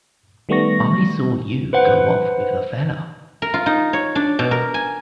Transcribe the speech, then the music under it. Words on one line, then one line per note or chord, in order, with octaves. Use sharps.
I saw you go off with a fellah.
D#3 G3 A3 B3 C#6 A#6
B4 C5 F#5
A#4
F4
D#4
C#5
D4
B2
A#4
G#5